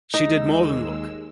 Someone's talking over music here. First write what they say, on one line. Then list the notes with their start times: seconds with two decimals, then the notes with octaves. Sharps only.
She did more than look.
0.14 D#2 G#3 D#4 E6